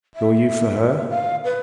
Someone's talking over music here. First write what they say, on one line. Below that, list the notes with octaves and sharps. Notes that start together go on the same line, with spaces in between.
"Nor you for her?"
E5
F5
B4